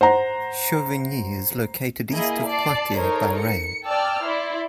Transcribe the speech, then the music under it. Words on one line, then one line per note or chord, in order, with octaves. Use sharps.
Chauvigny is located east of Poitiers by rail.
C5 F#5 A#5
A#3 E4 G#4 D#5 G#5
D5 A5 C7
D#4 A4 A#4 C5 C#5
C#7
D5 G5 A5 E6 F6
E4 D5 C6